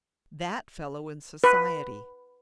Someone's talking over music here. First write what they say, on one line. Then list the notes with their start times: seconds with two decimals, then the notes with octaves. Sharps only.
"That fellow in Society!"
1.44 B4